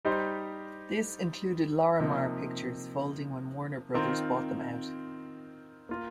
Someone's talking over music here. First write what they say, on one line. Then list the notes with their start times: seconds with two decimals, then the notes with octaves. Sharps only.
This included Lorimar Pictures folding when Warner Brothers bought them out.
0.05 G3 D#4 G4 C5
2.00 C3 F3 A#3 D#4
3.94 D#3 C4 F4 A#4
5.89 A#3 F4 A#4